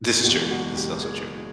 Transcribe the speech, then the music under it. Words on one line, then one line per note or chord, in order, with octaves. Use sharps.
This is true, this is also true.
F#1 E2 B2 G#3 G4
F#4
G4
G#4